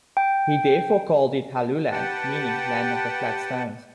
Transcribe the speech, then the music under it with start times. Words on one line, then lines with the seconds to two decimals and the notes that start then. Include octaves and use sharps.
He therefore called it Helluland meaning "Land of the Flat Stones".
0.17 G5
1.92 G4 B4 F#5 G5 A5